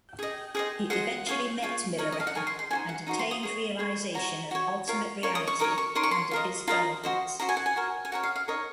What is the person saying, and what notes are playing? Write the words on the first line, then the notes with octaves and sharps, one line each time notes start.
He eventually met Milarepa and attained realization of ultimate reality under his guidance.
G#4 D#5
G#4 C5 D#5
G#4 C5 D#5 F#5
F4 G#4 C#5
F4 G#4 C#5
D#4 A#4 C#5
D#5
F5
F#5
D#4 A#4 C#5 G#5
C6
C6
D#4 F#4 C5 G#5
F#5
D#4 F#4 C5 A#5
C6
D#6
G#4 C#5
G#4 C#5
F#4 C#5 A#5
F#4 C#5
F4 A#4 C#5
F4 A#4 C#5 C#6
D#6
C#6
D#4 A#4 C#5 D#6
C#6
D#4 A#4 C#5 C6
C#6
C6
F4 A#4 D#5
F4 A#4 D#5 A#5
F#4 C5 D#5
F#4 C5 D#5 A#5
G#5
F#5
G#5
F#4 A#4 C#5
G#5
F#4 A#4 C#5 F#5
F5
F5
D#4 A#4 C#5 D#5